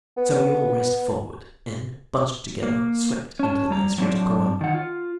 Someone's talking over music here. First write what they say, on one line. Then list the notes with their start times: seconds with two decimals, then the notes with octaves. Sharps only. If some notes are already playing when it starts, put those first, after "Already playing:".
So we all raced forward and, bunched together, swept into the main street of Coamo.
0.17 B3
2.63 A#3
3.39 C#4 A5
3.70 G3 A#5
3.98 F#3 C4 D4
4.61 D#3 F#5
4.74 F4